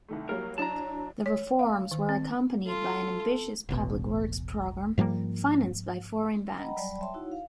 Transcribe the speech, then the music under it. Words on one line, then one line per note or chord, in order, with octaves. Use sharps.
The reforms were accompanied by an ambitious public works program, financed by foreign banks.
C2 D#3 A3
F#3 G3 A#3 A#4
F#3 D4 E4 A5 A#5
C#5
F5
D#3
C4
F4 A4
E1 A1 B2
G#2 F3 G3 A#3
D#5 F#5 G5 A#5 B5
F#3 G3 D5 G5 A5 B5
C#5 E5 G5 A5 C6
D#4 E4 F#4 C#5 F#5
F5